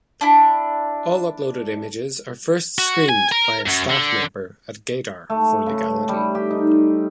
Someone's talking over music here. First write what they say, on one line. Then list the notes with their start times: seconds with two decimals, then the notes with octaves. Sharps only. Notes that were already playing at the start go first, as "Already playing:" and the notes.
All uploaded images are first screened by a staff member at gaydar for legality.
0.21 D4 E4
2.79 F#4
3.09 G#5
3.32 A#4
3.66 F#2
3.90 D3
5.30 A3
5.66 C#3
6.09 G3
6.35 G4
6.51 D#4